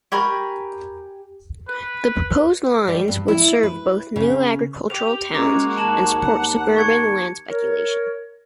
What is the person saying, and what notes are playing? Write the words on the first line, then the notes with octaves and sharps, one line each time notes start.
The proposed lines would serve both new agricultural towns and support suburban land speculation.
G4 A#4 G#5 B5 C#6
B4
G3
G2
E4
B4
C#3
G4 F7
G#3 A#3 C#4 F#4 A#5 D6 A#6
D#2 A5 E7 F#7
F#5
C#6 G#6 C#7
A#4 C#5